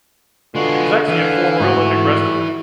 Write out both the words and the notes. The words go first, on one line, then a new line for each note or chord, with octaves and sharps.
he's actually a former Olympic wrestler.
D3 G#3 B3 F4 F#4 B4
E3 E5 F5
G#2 A3 F#4